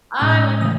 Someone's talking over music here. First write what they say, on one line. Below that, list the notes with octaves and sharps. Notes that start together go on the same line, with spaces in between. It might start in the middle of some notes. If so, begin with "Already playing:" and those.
I like that.
A2 G#3 C#4 E6
C#3 E3 A3 D#6